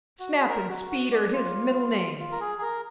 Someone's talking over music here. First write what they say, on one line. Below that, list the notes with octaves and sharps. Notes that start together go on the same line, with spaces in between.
Snap and speed are his middle name!
F#4
G#4
A#4
F#4
F#4
D5
F4
F4
A#4
G#4
G#4
A#4